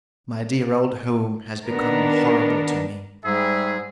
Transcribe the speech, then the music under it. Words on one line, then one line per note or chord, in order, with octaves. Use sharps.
My dear old home has become horrible to me.
D#3 B3 D4 A#4
G#2 G3 G#4 E5